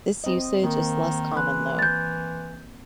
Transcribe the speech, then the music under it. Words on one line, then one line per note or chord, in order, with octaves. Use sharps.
This usage is less common, though.
C4 D#5
D#3 A#3
E3 B5 C6 F#6
G6 A6